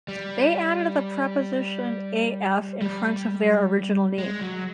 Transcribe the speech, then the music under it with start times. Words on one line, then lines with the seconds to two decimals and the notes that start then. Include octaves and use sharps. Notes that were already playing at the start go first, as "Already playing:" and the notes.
They added the preposition "af" in front of their original name.
0.08 G3
2.82 G3
4.18 G#3
4.41 F#3